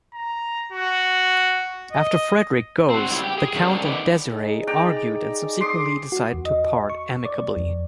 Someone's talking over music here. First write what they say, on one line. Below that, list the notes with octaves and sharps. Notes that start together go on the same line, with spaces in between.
After Fredrik goes, the Count and Desiree argue and subsequently decide to part amicably.
A#5
F#4
D#5
C4 F#4
C#3 G3 E4
G4 G5
G#4
D3 G3 C#4 D4 A#4 C5
A2 D#3 B3 D5
D#4 G#4
D5 G5 A#5
C6 D6 D#6
F#4
E2
D#5
C#6
D5
F2